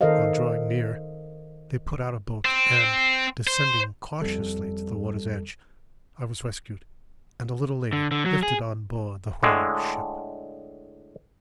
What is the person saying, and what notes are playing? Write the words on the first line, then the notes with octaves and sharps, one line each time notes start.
On drawing near, they put out a boat, and, descending cautiously to the water's edge, I was rescued, and a little later lifted on board the whaling-ship.
D#3 A4 A#4 C5 D#5 F5
C4
C5
G1 F2 G3 A4
D3
D3
F#3
G#4
A2 D3 G#3